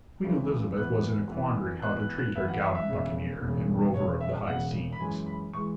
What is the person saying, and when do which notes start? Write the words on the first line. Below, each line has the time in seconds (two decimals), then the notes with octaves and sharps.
Queen Elizabeth was in a quandary how to treat her gallant buccaneer and rover of the high seas.
0.23 C#2 C#3 E3 C#4
0.77 E2 E3 B3 F#6
1.30 E2 E3 B3
1.82 E2 E3 B3 F#6
2.00 F#6
2.18 F#6
2.36 E2 E3 B3 E5
2.48 F#5
2.62 E5
2.75 E5
2.88 E1 E2 C#3
3.41 E1 E2 C#3
3.94 E1 E2 C#3 C#5
4.21 E5
4.47 E1 E2 C#3 F#5
4.93 B5
5.00 F#2 E3 G#3 G#5
5.26 B5
5.53 E3 G#3 C#6